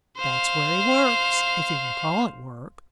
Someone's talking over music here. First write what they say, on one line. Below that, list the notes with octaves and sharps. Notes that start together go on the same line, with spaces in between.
That's where he works--if you can call it work.
C5 F5